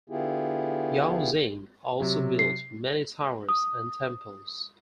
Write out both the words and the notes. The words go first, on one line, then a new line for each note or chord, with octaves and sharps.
Yao Xing also built many towers and temples.
D3 B3 E4 F4 G4 G#4
C3 F#3
C7
D#6